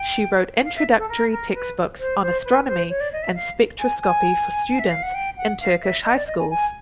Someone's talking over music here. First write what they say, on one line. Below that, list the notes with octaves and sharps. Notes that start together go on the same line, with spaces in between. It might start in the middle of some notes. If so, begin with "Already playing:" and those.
She wrote introductory textbooks on astronomy and spectroscopy for students in Turkish high schools.
Already playing: G5
F5
E5
A4
A#4
A#4
B4
C5
C5
B4
C5
C#5
D5
D#5
E5
F5
G#5
G#5
E5
F5
F#5
G5
F#5
F5
E5
D#5
D5
D#5
G#5
G#5